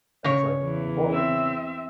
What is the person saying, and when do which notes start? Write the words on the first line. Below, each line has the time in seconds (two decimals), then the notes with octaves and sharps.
that's, like, important.
0.24 C#3 C#5
0.62 E2
1.11 C4 E5